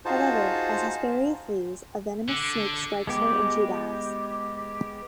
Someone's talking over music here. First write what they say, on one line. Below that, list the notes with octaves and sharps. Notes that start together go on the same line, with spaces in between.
However, as Hesperia flees a venomous snake strikes her and she dies.
D#4 F4 F#4 G#4 C5 A5
D3
G#3 B3 G4